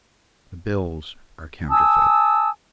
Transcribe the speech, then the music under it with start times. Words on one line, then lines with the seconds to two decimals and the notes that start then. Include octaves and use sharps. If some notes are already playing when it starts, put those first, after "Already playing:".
"The bills are counterfeit."
1.70 G#5 A5 D#6 E6